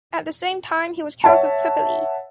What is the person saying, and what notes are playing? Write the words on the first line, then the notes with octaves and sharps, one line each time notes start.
At the same time he was Count of Tripoli.
C#5 E5 F#5 A5